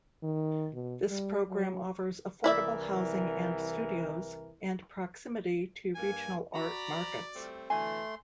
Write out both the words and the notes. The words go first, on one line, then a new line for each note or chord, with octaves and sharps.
This program offers affordable housing and studios, and proximity to regional art markets.
D#3
B2
G3
F#3
C2 E3 E4 A#4 D5 E5
G2 A#3 G#5
F#4 D5 A#5 B5
G3 A3 C4
B2 D3 E3 A3 G#5 C6